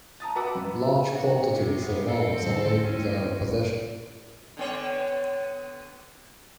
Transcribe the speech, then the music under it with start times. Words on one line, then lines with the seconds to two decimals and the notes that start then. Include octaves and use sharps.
Large quantities of arms are in their possession.
0.20 A5 A#5 D#6 A6
0.35 F#4 B4 F#5 D6 E6
0.55 F#2 B4
1.11 D4 F#4
1.57 C3 C#5
1.78 C3 B3
2.08 C4 A4
2.42 A1 D2
2.84 C#4
4.57 D3 B3 C#5